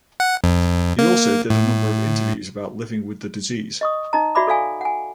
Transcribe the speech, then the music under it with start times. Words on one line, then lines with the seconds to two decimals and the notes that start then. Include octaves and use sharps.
He also did a number of interviews about living with the disease.
0.20 F#5
0.44 F2
0.99 A#3
1.50 A2
3.81 D#5 C#6 D#6
4.13 D#4 D#5 A#5
4.35 F#4 D5 E5 B5 D6
4.47 A4 D5 F5 G#5
4.81 F#5 G#5